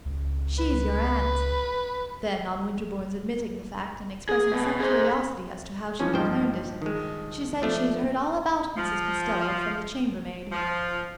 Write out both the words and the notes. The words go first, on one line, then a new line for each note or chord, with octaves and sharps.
"She's your aunt." Then, on Winterbourne's admitting the fact and expressing some curiosity as to how she had learned it, she said she had heard all about Mrs. Costello from the chambermaid.
C#2
B4
G#4
B2
G#4 C5
E3 F3 C#4
G2 F3 D#4 C5 G5
D#3 G#3
F3 A3 D4
F3
F3